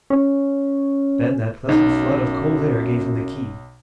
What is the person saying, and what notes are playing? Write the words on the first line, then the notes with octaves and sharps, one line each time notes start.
Then that pleasant flood of cold air gave him the key.
C#4
B1 F#2 D#4